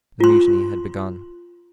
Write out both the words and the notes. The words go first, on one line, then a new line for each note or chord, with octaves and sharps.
The mutiny had begun!
F4 C6